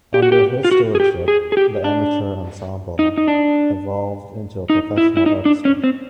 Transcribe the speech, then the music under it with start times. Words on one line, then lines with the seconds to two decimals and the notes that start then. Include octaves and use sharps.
Under his stewardship, the amateur ensemble evolved into a professional orchestra.
0.14 G4
0.22 F#4
0.32 G4
0.65 F4
0.71 F#4
0.95 G#4
1.00 G4
1.28 G#4
1.52 G#4
1.57 G4
1.84 D4
2.99 D#4
3.18 D#4
3.28 D4
4.70 D#4
4.98 E4
5.17 E4
5.26 D#4
5.45 D4
5.65 C#4
5.84 C4